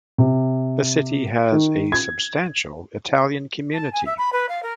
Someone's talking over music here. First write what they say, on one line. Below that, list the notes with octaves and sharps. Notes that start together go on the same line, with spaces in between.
The city has a substantial Italian community.
C3
D#3
G#6
A5
G#5
E5
B5
B4
F5
A#4